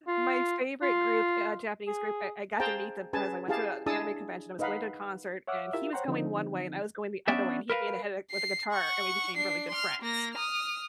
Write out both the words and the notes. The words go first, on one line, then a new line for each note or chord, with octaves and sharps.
My favorite group uh, Japanese group, I I got to meet them 'cause I went to a anime convention. I was going to a concert, and he was going one way, and I was going the other way, and he hit me in the head, like, with a guitar, and we became really good friends.
F4
F4
G#4
G#4 C5 F5 G5 A5 A#5
C#4 G#4 B4 G#5 A5
E4 G4 G#4 F5 A5
D4 E4 G#4 A5 D#6 E6
D#4 B4 D#5 F5 F#5 B5
C#5 E5 F#5 D6 E6 F6
E4 F4 G4 A#4 E5
C5 C#5 F#5 G5 A#5 C6
D3 F3 C4 D#4
B3 C#4 D4 D5 E5
A#4 B4 E5 F5
C7
F#5 C#6
D4 C7
C6 F6
A#3 A#6
D#6 F6